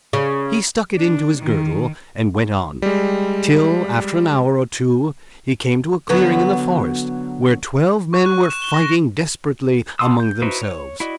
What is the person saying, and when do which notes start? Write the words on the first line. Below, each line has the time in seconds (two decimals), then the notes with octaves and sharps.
He stuck it into his girdle, and went on, till after an hour or two he came to a clearing in the forest, where twelve men were fighting desperately among themselves.
0.13 C#3
0.97 D4
1.37 D#3
2.82 G3 G#3
6.09 D3 F#3 B3
8.13 C#6
8.26 F#6
8.50 E7
8.62 G7
8.74 A#6
9.99 F#5 A5 C6 D#6 E6
10.20 G6
10.42 D#4 E4 F#4 B4 C5
10.61 C#5
11.00 E4 F#4 D5 D#5